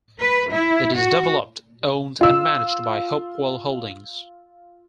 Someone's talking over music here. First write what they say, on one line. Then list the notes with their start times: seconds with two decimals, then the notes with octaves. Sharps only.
It is developed, owned and managed by Hopewell Holdings.
0.19 B4
0.51 E4
0.93 F#4
2.21 F4 E6